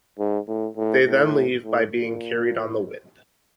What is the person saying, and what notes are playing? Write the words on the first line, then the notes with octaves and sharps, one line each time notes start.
They then leave by being carried on the wind.
G#2
A2
A2
A2
A2
A#2